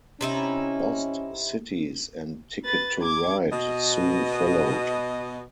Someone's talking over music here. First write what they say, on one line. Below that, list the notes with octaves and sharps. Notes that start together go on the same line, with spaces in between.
"Lost Cities" and "Ticket to Ride" soon followed.
C3 C#4 D#4 E4
B4 A6
D6 G#6
B2 D#5